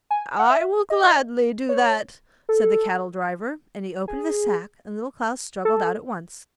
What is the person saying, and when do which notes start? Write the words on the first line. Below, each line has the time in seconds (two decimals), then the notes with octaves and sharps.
'I will gladly do that,' said the cattle-driver; and he opened the sack, and Little Klaus struggled out at once.
0.11 G#5
0.39 F#5
0.50 E5
0.90 D#5
1.69 C#5
2.49 A4
4.08 G#4
5.65 A4